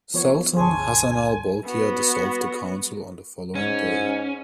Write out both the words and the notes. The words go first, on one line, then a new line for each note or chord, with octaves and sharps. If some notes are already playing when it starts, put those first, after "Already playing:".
Sultan Hassanal Bolkiah dissolved the Council on the following day.
F3 B3 C#5
G1 C#2 D3 G#4 C#5 G#5 A5 C6
B3 F#4
G#2 C#4